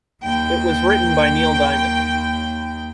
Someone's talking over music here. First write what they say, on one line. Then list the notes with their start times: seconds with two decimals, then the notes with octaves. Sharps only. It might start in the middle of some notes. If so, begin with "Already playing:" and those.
It was written by Neil Diamond.
0.22 D#2 G5